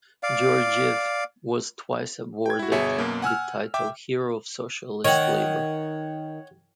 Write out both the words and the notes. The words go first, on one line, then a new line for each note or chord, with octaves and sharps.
Georgiev was twice awarded the title Hero of Socialist Labour.
D5 F5
G5 G#6
E4 F#4
G1 B2 G#4 C#5 E5 B6
F#2 B2 A#3
F#5 G#5 E6 F6
E5 G5 D6
D#3 C#5 F#5